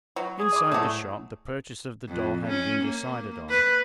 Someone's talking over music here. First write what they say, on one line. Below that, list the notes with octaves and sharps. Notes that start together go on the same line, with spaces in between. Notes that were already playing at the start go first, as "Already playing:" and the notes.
Inside the shop the purchase of the doll had been decided on.
F#3
G#4
D5 D6
A2 F#3 A3
F2
C#4
A#3
B4